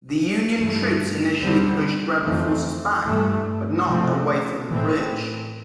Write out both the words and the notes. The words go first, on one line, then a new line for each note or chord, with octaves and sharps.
The Union troops initially pushed Rebel forces back, but not away from the bridge.
G2 E3 A3
E2 D3 G3 C4
F2 E3 A3 C4
G2 E3 A3
C3 F3 A3 C4
A2 E3 A3 C4